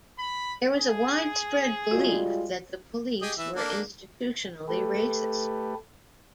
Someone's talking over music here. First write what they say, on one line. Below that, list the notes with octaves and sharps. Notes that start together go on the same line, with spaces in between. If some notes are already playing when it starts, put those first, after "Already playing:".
There was a widespread belief that the police were institutionally racist.
B5
G#4
G3 G#3 F4 F#4
G4 G#4 D#5
E3 E5
A#3 D4 A4
A3 G4 A4 B4